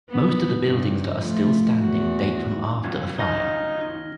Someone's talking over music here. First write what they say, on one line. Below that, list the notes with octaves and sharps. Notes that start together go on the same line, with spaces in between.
Most of the buildings that are still standing date from after the fire.
B3
G2 C#3
F3 A3 F4
E2 F#4
G1 C#2 F#2 G#6
D#4 F6 A#6 G7